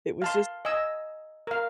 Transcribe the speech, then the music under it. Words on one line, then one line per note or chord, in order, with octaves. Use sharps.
it was just
F5 A5 C6
D#5 G#5 E6
A#4 F5